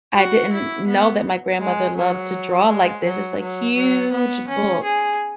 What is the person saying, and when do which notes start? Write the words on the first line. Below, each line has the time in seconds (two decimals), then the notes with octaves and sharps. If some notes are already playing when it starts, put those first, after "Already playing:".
I didn't know that my grandmother loved to draw like this. It's a huge book
0.17 F#4
0.52 E4
0.87 B3
1.60 G#3
1.96 F#3
2.68 G#3
3.04 F#3
3.40 F#3
3.75 F#3
4.11 B3
4.48 C#4
4.83 G#4